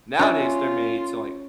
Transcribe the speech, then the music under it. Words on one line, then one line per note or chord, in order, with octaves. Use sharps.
Nowadays, they're made to, like
C#4 D4 F4 D5 E5